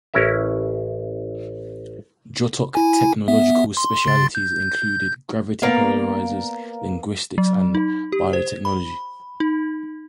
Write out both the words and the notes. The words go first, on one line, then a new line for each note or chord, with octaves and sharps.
Jotok technological specialties included gravity polarizers, linguistics and biotechnology.
A1 C#4 E4 A#4 E5
E4 G#5
B3 E5
C6
C#3 C6 A6
G6
A#3 B3 D5 F5
F#3
D#4
G4
C5
B5
D#4